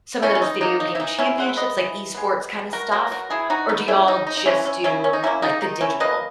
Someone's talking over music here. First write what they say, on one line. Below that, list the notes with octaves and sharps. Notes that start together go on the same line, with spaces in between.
some of those video game championships, like esports kind of stuff, or do y'all just do, like, the digital?
B2 C#4 E4
C#4
D#4
F#3 A#3 D#4
D#4
E4
E3 D#4
C#4 E4
G#3 B3 F#5
E5
B4 D#5
E3
G#3 B3
B2
F#4 A#4
F#3 B3 F#4 A#4
F#4 A#4
E3 E4 G#4
D#4 F#4
B3 D#4
C#4 E4
C#3 D#4
D#4
D#4
E3 G#3 C#4 E4
C#4
C#3 C#4 E4
C#4
D#4
F#3 A#3 C#4 E4
D#4
D#3 D#4
C#4 E4
A#3 B4 D#5